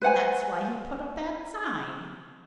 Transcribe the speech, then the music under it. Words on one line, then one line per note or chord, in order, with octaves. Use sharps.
That's why he put up that sign.
B4 C5 F#5 G#5